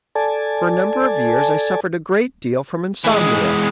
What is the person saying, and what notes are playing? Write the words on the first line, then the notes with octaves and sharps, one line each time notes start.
For a number of years I suffered a great deal from insomnia.
A4 D5 G#5 A5
E3 G#3